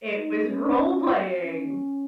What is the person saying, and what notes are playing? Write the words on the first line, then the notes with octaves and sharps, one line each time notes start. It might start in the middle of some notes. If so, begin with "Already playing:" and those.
It was role playing.
D#4
C#4
C4
C#4